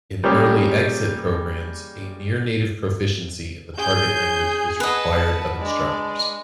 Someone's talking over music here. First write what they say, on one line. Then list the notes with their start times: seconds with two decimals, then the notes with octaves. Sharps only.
In early-exit programs, a near-native proficiency in the target language is required of instructors.
0.24 G3 G#3 A#3 C#4 G4 G#4
3.78 C#4 G#4 G6
4.80 B4 D#5 F#5 A5
5.59 G#3 D4 D5